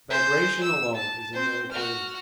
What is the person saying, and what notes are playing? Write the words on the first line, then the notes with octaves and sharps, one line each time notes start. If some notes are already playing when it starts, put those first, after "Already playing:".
Bagration alone is a military man.
G#4 C5
E6
A5
C4 C5
F#4 F6